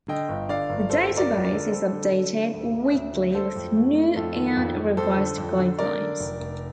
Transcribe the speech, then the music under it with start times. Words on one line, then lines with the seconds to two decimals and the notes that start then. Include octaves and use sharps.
The database is updated weekly with new and revised guidelines.
0.08 D3 D#5 G5
0.29 G1
0.49 D3 D5 F5
0.70 G1
0.90 G1 A4 C5
1.11 G1
1.17 A#4 D5
1.31 F2
1.44 A#4 D5
1.52 D3
1.71 G3 A4 C5
1.93 D3
2.12 D3
2.33 D3
2.53 D2
2.73 D2
2.94 D2
3.14 D3
3.35 A3 A4 C5
3.56 F2
3.75 A3
3.95 A3
4.16 F2 F4 A4
4.37 D#3
4.57 F2
4.77 F2
4.97 F2 A4 C5
5.17 D3
5.38 F2
5.58 D3
5.79 D3 A#4 D5
6.00 D3
6.20 F1
6.40 F1